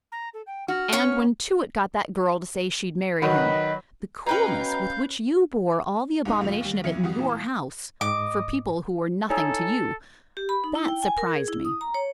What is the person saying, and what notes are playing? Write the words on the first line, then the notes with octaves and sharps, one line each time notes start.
"And when Tewett got that girl to say she'd marry him, the coolness with which you bore all the abomination of it in your house,--for people who were nothing to you;--that surprised me!"
A#5
A4
G5
F#4 F6
C#4 C#5 C#6
D#3 F#3 B4 D#5 B5
B2 C#4 B4 F5 G5 G#5 A#5 G6
C2 G#2 G#3 D#4 D#5
C#2 A2 F3 F7
D#2 G3
B1 F2 E4 G#6 C#7
G#1 F2 G3 F#4 D#6
A#2 E3 A5
G#2 D#5 D6
D#4 E4 A4 C#5 G#5
G4
B5
D#4
E4
G5
G#5
A#4
G#4
E4
D#6
A#5
C#5